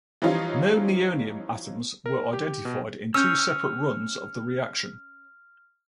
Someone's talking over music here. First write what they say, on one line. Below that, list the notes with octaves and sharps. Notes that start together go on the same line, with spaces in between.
No nihonium atoms were identified in two separate runs of the reaction.
E3 F3 G3 C#4 D#4 F4
A#4
G4
B2
C#4 E6 F6 G6